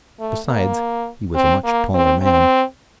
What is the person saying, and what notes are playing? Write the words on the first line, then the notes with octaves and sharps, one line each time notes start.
Besides, he was a much taller man.
A3
A#3
C4
A#3
C4
C4